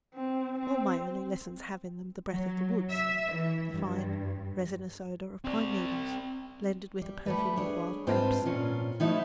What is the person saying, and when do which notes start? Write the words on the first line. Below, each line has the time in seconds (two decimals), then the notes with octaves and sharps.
All my early lessons have in them the breath of the woods--the fine, resinous odour of pine needles, blended with the perfume of wild grapes.
0.15 C4
0.59 C4
2.30 F#3
2.91 E5
3.33 E3
3.73 G2
5.45 C4 D5
7.01 G3
7.26 G3 A3 B4
7.56 D4 G#4 C#5
8.07 G#2 C4 F4 B4 F5 A5
8.45 A#2 C#4 F4
9.00 F3 F#3 A3 D#4 E4